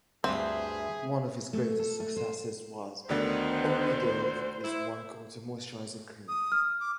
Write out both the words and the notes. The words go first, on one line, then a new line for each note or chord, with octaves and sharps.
One of his greatest successes was "Only Dove is one-quarter moisturizing cream".
D2 G2 C4 G#4 E5
A3
A4
A3
C5
D2 D3 D#3 B3 C5
E4
D#6
F6
D6